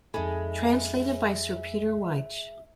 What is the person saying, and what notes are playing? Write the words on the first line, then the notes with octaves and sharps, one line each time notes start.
Translated by Sir Peter Wyche.
F2 G#3 D#4 G#4 A4 E5 B5